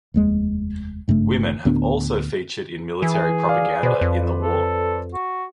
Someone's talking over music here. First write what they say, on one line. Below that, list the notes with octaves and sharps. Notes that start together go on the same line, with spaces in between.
Women have also featured in military propaganda in the War.
F1 D#2 G#3
G#1 G2 C#3 A3
D2 A2 B3 D4
E3 G#4
D5 F5
B2 B4 C5 D5
F2
A4
F#4